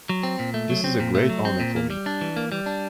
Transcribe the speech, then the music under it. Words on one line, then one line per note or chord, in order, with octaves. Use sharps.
This is a great honour for me.
F#3
C4
A#2
A3
F#3
C4
A#2
A3
F#3
C4
A#2
A#3
G3
D4
E3
A#3
G3
D4